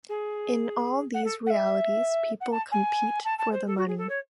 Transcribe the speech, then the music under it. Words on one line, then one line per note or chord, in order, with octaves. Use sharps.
In all these realities people compete for the money.
G#4
F#5
A4
F#5
E5
F#5
A5
G#5
A5
A5
C5
A4
F#4
G#4
A4
C#5